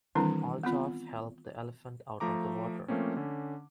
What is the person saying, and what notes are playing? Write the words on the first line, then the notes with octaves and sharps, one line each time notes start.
Althoff helped the elephant out of the water.
D#3 E3 G3 C4 D4 E4
B3 C4 F4
F3 A3 A#5 D6
F3 A3 A#3 C4 C#4
D3 C#4